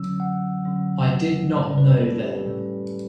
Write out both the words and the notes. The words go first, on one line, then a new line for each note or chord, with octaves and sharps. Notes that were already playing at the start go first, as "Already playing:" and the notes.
I did not know then.
Already playing: D3 F#3 C#4 E6
F#5
D3 F#3 C#4
A2 G3 C#4 D5
B4
A4
G4
A2 G3 C#4